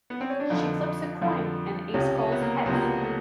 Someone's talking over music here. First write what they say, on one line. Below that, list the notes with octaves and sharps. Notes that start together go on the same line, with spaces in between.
She flips a coin, and Ace calls "heads".
B3
C4
C#4
D4
F2 D3 F3 D#4
F2 D3 F3
C#2 C3 F3 C#4
C#4
B3
A#3
C#2 C3 F3 B3
A#3
B3
A3